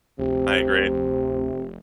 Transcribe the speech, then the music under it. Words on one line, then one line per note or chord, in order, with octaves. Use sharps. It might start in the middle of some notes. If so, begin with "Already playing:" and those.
I agree.
F1 D2 C3